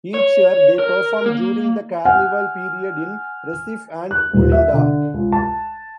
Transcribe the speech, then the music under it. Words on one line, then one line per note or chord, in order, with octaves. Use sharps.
Each year they perform during the Carnival period in Recife and Olinda.
C#5
A#4
A#3
F#5 G#5 F6
F#6
D#1
E5
D3
C#2
A5